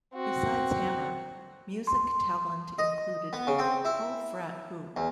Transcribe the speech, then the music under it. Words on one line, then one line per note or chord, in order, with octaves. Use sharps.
Besides Hammer, music talent included Ho Frat Hoo!
C4 F#4
C6
D#5
B3
C#3
C4
E4
E2